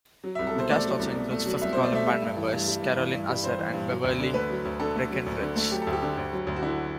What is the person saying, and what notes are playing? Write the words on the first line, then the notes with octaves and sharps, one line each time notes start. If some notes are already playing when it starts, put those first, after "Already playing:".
The cast also includes Fifth Column band members Caroline Azar and Beverly Breckenridge.
F#3
C2 E5
A4
B2 C5
A3 D5
F#3
C2
B2
A3
F#3
C2 E5
B2 C5
D5
A3 E5
G3
G2
E3
G2
G3
G2
E3
G2
G3
G2 C5
E3
G2
F#3
D2
D3
A3 B4
F#3
D2
D3 A4
A3
F#3
D2
D3
A3
F#3 G4
A4
D2
G4
D3
D2
F#3
D2
F#4
D3 E4